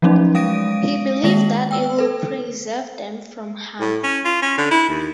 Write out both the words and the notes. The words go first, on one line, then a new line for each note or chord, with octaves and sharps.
He believed that it would preserve them from harm.
F3 F#3 A3 C#4 D#4
G#3 F5 D#6 A#6 D7 D#7
D#3 G#3 A#3 A#6 F#7
G5 E6
A4 B4
A2
C#4
F4
C#4
D3
E4
D#2